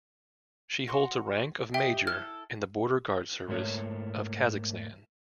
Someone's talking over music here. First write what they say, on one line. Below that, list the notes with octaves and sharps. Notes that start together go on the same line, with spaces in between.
She holds a rank of Major in the Border Guard Service of Kazakhstan.
F#4 C6 C#6
G4 D#5 E5 G5
E4 A4 F6
G#2 A3 A#3 C#5